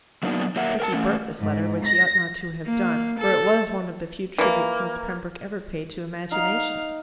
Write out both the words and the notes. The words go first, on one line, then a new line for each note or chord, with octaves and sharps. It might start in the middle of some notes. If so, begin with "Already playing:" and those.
Rickie burnt this letter, which he ought not to have done, for it was one of the few tributes Miss Pembroke ever paid to imagination.
F#3 A#3 B3 D4 D#4 F#4
F#3 A#3 A#4 E5 F#5
A#4 G5 A5
A3 C#4
G#2
A#6
A#3
A4
E3 A#3
D#4 F5 F#5